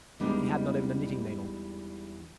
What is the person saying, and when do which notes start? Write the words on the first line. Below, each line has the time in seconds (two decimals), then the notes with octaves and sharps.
"He had not even a knitting-needle."
0.20 E2 G3 G#3 D4 D#4